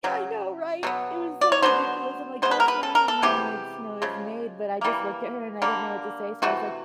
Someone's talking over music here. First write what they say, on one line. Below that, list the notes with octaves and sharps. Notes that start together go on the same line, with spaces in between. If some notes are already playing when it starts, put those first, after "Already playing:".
Yeah. I know. Right? It was so ridiculous. I'm like, "That's not how man-made snow is made," but I just looked at her and I didn't know what to say. So I was like,
C#3 F#3
B2 F#3 B3
D5
C#5
D3 F#3 B3 C5
B2 G#3 B3 C5
B4
A#4
B4
A4
A#4
A4
C3 E3 G#3 B3 G4
C#3 F3 G#3
E3 G3 A#3
D3 G3 A#3
C3 E3 A3 F#4